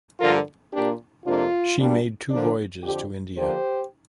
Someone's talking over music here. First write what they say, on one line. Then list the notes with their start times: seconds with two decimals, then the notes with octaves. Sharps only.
She made two voyages to India.
0.20 G2 D3 F3 F4 A#4
0.72 A#2 A#3 D4 G4
1.25 F2 C3 A#3 D4 F4
1.78 A#2 G3 D4
2.31 D3 F3 A#3 D4
2.83 F2 D3 F3 G4
3.36 D3 F3 A#3 D4 G4 C5